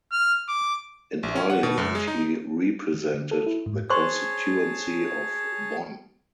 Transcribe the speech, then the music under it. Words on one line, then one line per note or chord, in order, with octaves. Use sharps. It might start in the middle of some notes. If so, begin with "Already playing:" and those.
In Parliament he represented the constituency of Bonn.
F6
D6
A#1
C#4
F#5
B2
F#2
G#3
D#4
D#3
D3
A4
E4
G#2
G#4 C5 C#5 A5 C6 C#6